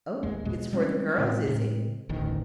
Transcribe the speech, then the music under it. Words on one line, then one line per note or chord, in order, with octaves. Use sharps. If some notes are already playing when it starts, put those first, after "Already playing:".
"O, it's for the girls, is it?"
G#1 D#2 G#3
B2 G#3 B3
G3 G#3 C4 C#4
A2 C#3 G#3 C4
A2 C#3 G#3 C4
E1 A1 D2 D#3